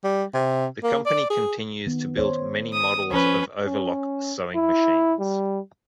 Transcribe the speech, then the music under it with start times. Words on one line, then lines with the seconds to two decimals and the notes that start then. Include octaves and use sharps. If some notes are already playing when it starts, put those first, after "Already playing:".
The company continues to build many models of overlock sewing machines.
0.04 G3
0.34 C3
0.84 A#3
1.06 D5
1.30 G#4
1.86 D#3 B3
2.17 C5 C#5
2.73 D#6
3.11 F3 C#4 B4 C5
3.66 C#4
4.55 E4
5.19 G3